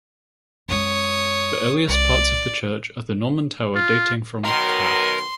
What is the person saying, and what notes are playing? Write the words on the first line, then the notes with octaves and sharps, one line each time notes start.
The earliest parts of the church are the Norman tower dating from ca.
F#2 G#3 C#5 D#6
C2 D5
F4
B2 D#3 F#3 A#4 C6